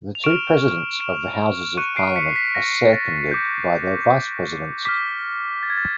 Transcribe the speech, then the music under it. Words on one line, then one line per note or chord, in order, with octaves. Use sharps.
The two presidents of the Houses of Parliament are seconded by their vice-presidents.
F7
C#6 F6 D7 E7
D7 E7
C#6 F#6 C#7 D#7
C7 D7
B6 C#7
B6
A#6
A6
D6 G6
D6 F6 B6
A6
G#6
A6